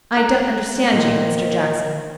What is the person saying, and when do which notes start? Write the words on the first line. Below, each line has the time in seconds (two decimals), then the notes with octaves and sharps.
'I don't understand you, Mr Jackson.'
0.17 A#5 F#6
0.92 A#2 D#3